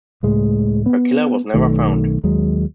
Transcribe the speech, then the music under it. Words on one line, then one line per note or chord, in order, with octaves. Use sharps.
Her killer was never found.
C#2 A2 G#3
B3
B1 D#3 A3
D#2 F#3 G#3